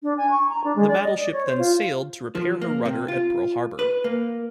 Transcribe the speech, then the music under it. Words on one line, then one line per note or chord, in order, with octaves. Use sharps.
The battleship then sailed to repair her rudder at Pearl Harbor.
D4
G#5
C#6
A#5
D4
G#3
D5
D#5
D5
C#5
C5
F4
F3
A#3
C3
F4
B4
A#3